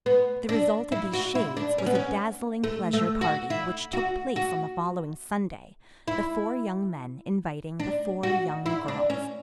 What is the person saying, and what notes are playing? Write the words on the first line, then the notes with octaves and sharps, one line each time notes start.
The result of these shades was a dazzling pleasure party which took place on the following Sunday, the four young men inviting the four young girls.
B3
D4
E4
F#4
E4
D4
C#4
B3
C#4
A3
A3
F#4
E4
F#4
F#4
E4
D4
F#4
E4
D4
C#4